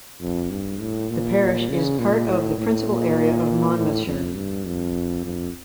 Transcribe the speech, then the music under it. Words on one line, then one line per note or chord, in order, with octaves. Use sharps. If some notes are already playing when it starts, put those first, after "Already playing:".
The parish is part of the principal area of Monmouthshire.
F2
G2
A2
A#2
C#3
A#2
A2
A2
A#2
A2
F2
G2
F2
F2